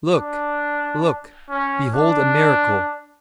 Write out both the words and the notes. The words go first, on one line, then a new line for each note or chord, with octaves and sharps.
'Look! look! behold a miracle!
D4
C#4
D4